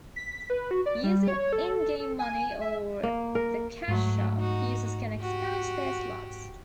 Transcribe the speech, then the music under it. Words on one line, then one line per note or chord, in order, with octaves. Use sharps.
Using in-game money or the cash shop, users can expand their slots.
B6
B4
F#4
D5
G3
C#5
A4
A4
G#5
E5
A#3
A#4
G#2 F#3 A3
D#4 F#4
F#4 G4